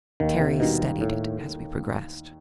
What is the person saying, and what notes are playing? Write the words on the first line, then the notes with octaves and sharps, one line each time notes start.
Terry studied it as we progressed.
D#2 D#3
C3
B2 D#3 G3 D#4
A2